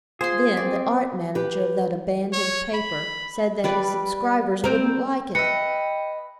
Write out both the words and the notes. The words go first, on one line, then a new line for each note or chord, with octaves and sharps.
Then the art-manager of that abandoned paper said that his subscribers wouldn't like it.
F4 G#4 C5 C6
C4 D5
G4 B4
C#5
B5
G3 B4 D5
C4 A#4
B4 D#5 E5 G5 C#7